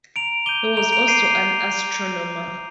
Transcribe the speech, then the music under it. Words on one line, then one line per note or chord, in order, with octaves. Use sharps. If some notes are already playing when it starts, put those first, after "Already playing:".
He was also an astronomer.
A#5 D7 F7
D6 G6 D#7 G7
A#5 D7 F7
D7 F7
D6 G6 C7 D#7
C7 D#7